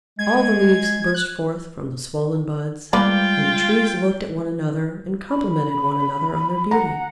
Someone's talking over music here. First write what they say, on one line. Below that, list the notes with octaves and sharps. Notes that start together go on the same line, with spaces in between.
All the leaves burst forth from the swollen buds, and the Trees looked at one another and complimented one another on their beauty.
G#3 G#6
F#6
G3 G#3 A#3 F4 B4 D5 G5
B5
F#5 A#5